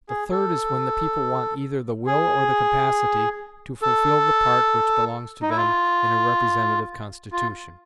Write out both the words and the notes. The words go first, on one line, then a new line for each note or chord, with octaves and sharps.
The third is when the people want either the will or the capacity to fulfill the part which belongs to them in a representative constitution.
G#4
A4
G#4
A4
D#4
E4
F4
F4